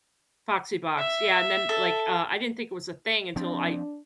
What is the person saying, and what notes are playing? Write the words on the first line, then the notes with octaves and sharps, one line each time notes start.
Foxy Box, yeah, and then, like, uh, I didn't think it was a thing until I
E5
A4
F3 C4 D4